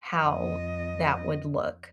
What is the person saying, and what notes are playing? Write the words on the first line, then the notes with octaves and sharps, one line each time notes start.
how that would look.
F2 D#5